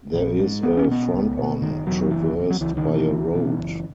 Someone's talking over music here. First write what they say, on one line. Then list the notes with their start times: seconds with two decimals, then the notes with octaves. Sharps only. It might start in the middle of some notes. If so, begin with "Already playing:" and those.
There is a Fronton traversed by a road.
0.14 A#1
0.39 G#2
0.63 C#2 B3
0.77 C#4
0.88 B2 B3
1.13 C#2
1.38 B2
1.62 F#1 D#3
1.86 E2 B2 F#3
2.11 F#1 E3
2.36 E2 B2
2.50 F#3
2.61 C#2 E3
2.77 D#3
2.86 B2
2.94 E3
3.10 C#2
3.34 B2
3.59 F#1